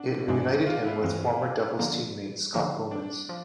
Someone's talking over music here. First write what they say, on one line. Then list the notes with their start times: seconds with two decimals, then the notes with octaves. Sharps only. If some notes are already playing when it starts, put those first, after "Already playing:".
It reunited him with former Devils teammate Scott Gomez.
Already playing: D4 F#4
0.28 G2 E3 G#3 C4 D4
0.47 F#4
0.66 F4
0.85 E4
1.04 G2 E3 G#3 C4
1.79 D3 F3 A#3
2.54 D3 F3 A#3
2.91 D4
3.29 F3